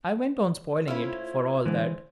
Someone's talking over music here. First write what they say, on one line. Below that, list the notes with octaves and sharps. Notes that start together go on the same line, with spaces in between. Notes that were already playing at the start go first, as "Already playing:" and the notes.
I went on spoiling it, for all that.
A3 C#4 E4 F4 C5
D3 E3 G#3